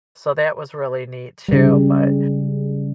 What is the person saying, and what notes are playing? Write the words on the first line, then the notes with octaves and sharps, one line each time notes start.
So that was really neat, too, but,
C#3 G3